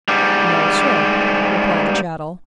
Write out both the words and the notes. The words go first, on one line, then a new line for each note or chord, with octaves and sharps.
"No, sir," replied the chattel.
G#2 G3